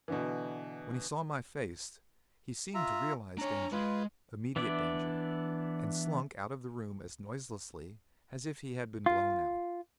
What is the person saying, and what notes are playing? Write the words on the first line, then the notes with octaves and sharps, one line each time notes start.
When he saw my face, he seemed to realise danger--immediate danger--and slunk out of the room as noiselessly as if he had been blown out.
B2 D3 E3
F4 E5 A#5
D4 C#5 A#5
G#3 F4 B4
E3 B3 D4 E4 D5
F4